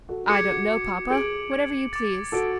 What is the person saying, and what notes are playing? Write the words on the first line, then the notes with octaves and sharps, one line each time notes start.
"I don't know, papa; whatever you please."
F#4 A4
A4
G#4 D6 G#6 C#7
F#4
D6 G#6 C#7
G#4 G#6 D7 F#7
G#6 D7 F#7
D6 A6 D7
F#4 A4 D6 A6 D7